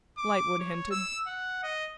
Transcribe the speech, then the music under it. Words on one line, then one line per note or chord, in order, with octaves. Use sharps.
Lightwood hinted.
D6
C#5
E6
F#5
D#5